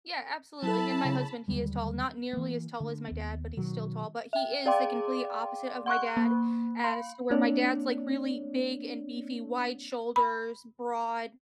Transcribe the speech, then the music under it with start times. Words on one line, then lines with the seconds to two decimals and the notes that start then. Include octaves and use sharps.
Yeah, absolutely, and my husband, he is tall- not nearly as tall as my dad, but he's still tall- but he is the complete opposite of my dad as to where my dad's like really big and beefy, wide shoulders, broad.
0.63 F#3 E4 A4 A5 B5
1.05 C#3
1.48 D#2 D3 G3 G#3
2.33 E3 A#3
2.80 D3 A3
3.08 D#2 B3
3.57 B2 D#3 F#3
4.33 E5 G5
4.66 G#4 D5 F5 G5 C6 D6
5.86 F#5 C6 C#6 F#6
6.17 A#3
6.84 F5 B5 C6
7.30 A#3 C4 D4 C#5 D5
10.16 B5